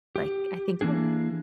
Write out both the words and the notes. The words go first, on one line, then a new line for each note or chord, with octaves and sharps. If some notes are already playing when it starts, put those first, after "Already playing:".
like, I think I would
G4
E3 A#3 D4 G#4